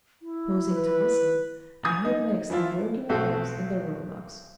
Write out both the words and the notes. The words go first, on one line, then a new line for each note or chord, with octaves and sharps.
Pausing to listen, I heard next the working of oars in their rowlocks.
E4
B4
G#5 D#6 G#6
D#4
E3 F3 E4 F4
B1 A3 C4 F#4 A4